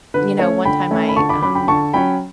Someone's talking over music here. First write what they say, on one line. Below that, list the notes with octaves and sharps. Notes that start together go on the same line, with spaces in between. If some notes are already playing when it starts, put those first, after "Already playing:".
You know, one time I, um,
D3 B4
A3 C#4 C#5
D3 G5 B5
A3 C#4
B5
D3 A5 C#6
B5 D6
F#3 C#4 B5 D6
G5 B5
D3 A5 C#6
F#3 C#4 G5 B5